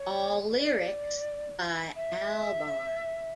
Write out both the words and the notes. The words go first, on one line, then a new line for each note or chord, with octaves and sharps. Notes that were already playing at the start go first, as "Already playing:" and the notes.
All lyrics by Albarn.
Already playing: C#5
D5
E5